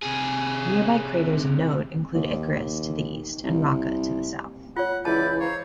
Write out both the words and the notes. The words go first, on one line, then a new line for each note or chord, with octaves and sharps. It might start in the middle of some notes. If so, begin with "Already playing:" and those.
Nearby craters of note include Icarus to the east and Racah to the south.
C3 G#4
D#2
C2
F4 C#5 F#5
C#2 E3 E4 D5 A5 B5 G6
C5 C#5 F5 A#5